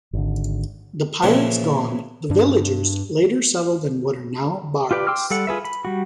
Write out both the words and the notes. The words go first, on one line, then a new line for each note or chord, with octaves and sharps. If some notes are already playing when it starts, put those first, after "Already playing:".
The pirates gone, the villagers later settled in what are now Baras.
G#1 D3
A#2 C#3 E3 F3 E4
G2 D4
F4 G4 B4 D5
G5 C6 D6 E6 F6
G3 A4 F#5
F4 G#4 B4 E5
B5
G3 F#4